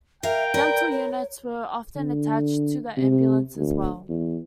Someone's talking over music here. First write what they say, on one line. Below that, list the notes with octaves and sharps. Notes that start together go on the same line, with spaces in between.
Dental units were often attached to the ambulance as well.
A#4 E5 F5 G5
A#4 B4 D5
C#5
D3
C3
D2
E2